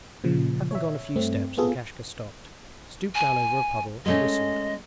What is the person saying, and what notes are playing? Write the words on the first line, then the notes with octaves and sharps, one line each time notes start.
Having gone a few steps Lukashka stopped, stooped down over a puddle, and whistled.
A#2 C#3 F3
C#5 E5
G2 A3 C4
B3 F4 G#4 A4
G#5
G#3 A3 C#4 D#5